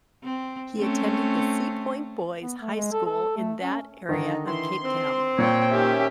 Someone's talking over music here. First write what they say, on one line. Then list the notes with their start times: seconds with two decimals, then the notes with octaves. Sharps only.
He attended the Seapoint Boys' High School in that area of Cape Town.
0.24 C4
0.79 A3 C4 C#4
2.42 B3
2.60 A3
2.76 G#3
2.92 A4
3.06 A4
3.37 A3
3.60 C#4
4.09 D3 D#3 D#4
4.47 E3 C6
4.83 C4
5.38 A#2 C#5 G5
5.71 D#3 C#4 G4 E5